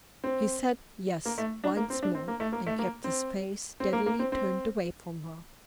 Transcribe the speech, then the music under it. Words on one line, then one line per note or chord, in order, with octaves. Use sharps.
He said "Yes" once more--and kept his face steadily turned away from her.
C4
A#3
A3
D4
A#3
C4
D4
C4
A#3
A3
A#3
A3
A#3
C4
C4
A#3
A#3
C4
C4